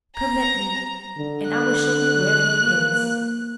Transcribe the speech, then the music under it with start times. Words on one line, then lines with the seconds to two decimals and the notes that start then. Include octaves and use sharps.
"Permit me, and I will show you where he is."
0.16 A#5
1.19 D3
1.51 F#6
2.62 A#3